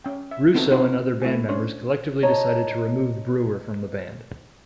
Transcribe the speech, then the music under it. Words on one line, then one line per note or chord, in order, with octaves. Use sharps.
Russo and other band members collectively decided to remove Brewer from the band.
C#4 G5
E5
B3 C4 D#4 E4 F#4 A4
C4 D#4 E4 F#4 C5
A3 E4 F#4 G#5
C#4 D4 C5 C#5
C#5 D#5 A5 A#5